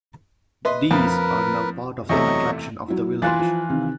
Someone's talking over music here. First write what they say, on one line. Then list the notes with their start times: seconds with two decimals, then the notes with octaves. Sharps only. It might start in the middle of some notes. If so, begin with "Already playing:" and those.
These are now part of the attraction of the village.
0.65 B4 D#5 C6
0.91 F2 A#4 B4
2.09 E2 C3 F#3 A3 D#5 C#6
2.88 F#3 E4
3.22 E3 F4 C6 F#6 A6
3.39 F3
3.69 C3 D#3